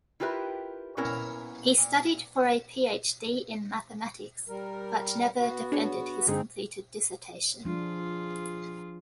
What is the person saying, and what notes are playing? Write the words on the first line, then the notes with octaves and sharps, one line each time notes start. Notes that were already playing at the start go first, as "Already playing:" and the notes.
He studied for a PhD in mathematics, but never defended his completed dissertation.
E4 F4 G4 A#4 B4 E5
A#2 B3 C#4 E4 A#4
A#2
G3 A#4
B3 F#4
D4 G#4 C#5
G2 D3 G#3 C4 D#4 G#4
F3 D4 F4 G#4